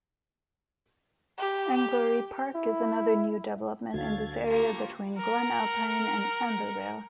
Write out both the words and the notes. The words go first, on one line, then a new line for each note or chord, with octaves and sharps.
Englorie Park is another new development in this area between Glen Alpine and Ambarvale.
G4
G4
E4
D2 D4 F#4 A4 F5 G#6 A6
A3 A#3 F4 G4 C#6
A#4 F#5